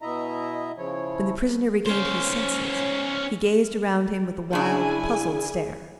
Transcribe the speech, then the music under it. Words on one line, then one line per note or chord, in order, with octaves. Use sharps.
When the prisoner regained his senses, he gazed around him with a wild, puzzled stare.
B2 E4 D#5 E5 A#5
C#3 F3 E4 C#5
C#4 C5
C#3 D4 E4 G#4 G#5